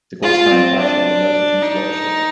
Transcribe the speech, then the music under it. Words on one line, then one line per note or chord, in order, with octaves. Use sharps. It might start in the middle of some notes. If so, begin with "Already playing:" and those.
The ghost town of Harshaw lies within its watershed.
F4
C4
D4
D#4